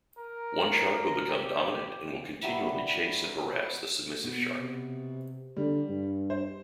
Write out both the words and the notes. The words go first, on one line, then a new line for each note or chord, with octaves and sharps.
One shark will become dominant and will continually chase and harass the submissive shark.
A#4
G4
F#3 G3 B3 E4
B2
C3
D3 G3
G2
C5